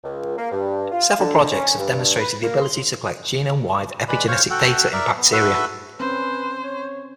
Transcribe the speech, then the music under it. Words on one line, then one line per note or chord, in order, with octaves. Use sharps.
Several projects have demonstrated the ability to collect genome-wide epigenetic data in bacteria.
C#2
A#3
G2
F4
D3
C#4
G2
B4
A#3
C6
G#3 B4 D5 B5
C5 C#5 F5 C#6
F#4 A4 F#5 G5
A#4 D5 E5
B3
F#4 A4 B4 E5
C4 C#4 B4 C5
C#5